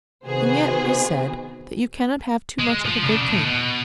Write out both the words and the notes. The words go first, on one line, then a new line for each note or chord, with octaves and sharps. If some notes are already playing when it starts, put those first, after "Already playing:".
And yet is said that you cannot have too much of a good thing.
C3 D#3 B3 F#4 G#4 C5
G#3
F3
C#3 D4
A2
B2